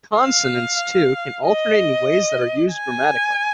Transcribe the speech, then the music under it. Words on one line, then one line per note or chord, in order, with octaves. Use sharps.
Consonants, too, can alternate in ways that are used grammatically.
F5
D#5
G#5